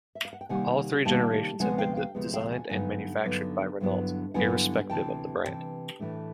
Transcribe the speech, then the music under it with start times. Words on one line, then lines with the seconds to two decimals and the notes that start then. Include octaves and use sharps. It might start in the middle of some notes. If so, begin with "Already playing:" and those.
All three generations have been designed and manufactured by Renault, irrespective of the brand.
0.15 E5
0.25 F5
0.33 F#5
0.41 G5
0.49 C3 D#3 G3 A#3 F#5 G#5
1.05 C3 D#3 G3 A#3 G5 A5
1.60 D2 C3 F3 G#3 B3 F#5 G#5
1.78 F5 G5
1.96 F5 G5
2.14 D2 C3 F3 G#3 B3
2.34 F5 G5
2.52 F#5 G#5
2.69 G2 D3 F#3 B3 D#4 F#5 G#5
3.24 G2 D3 F#3 B3 D#4
3.80 G2 D3 F#3 B3 E4
4.34 G2 D3 F#3 B3 E4 F#5 G#5
4.90 D2 C3 E3 G5 A5
5.44 D2 C3 E3 G5 A5
5.99 A2 E3 A3 D4